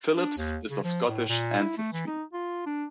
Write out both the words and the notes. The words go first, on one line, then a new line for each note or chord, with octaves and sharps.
Phillips is of Scottish ancestry.
D4
D#2
C#3
F3
A2
A#2
E4
A3
E3
D#4
F4
D4